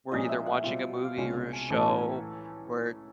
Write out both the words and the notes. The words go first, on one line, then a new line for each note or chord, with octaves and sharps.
we're either watching a movie or a show. We're
A#2 F3 G#3 C#4 F4 D#5
E5
F#5
B2 G3 C4 F4 G5
G5
G5
F5
C2 B2 G#3 C#4 F4 G5
G#5
A2 E3 A3 C#4 A5
A#5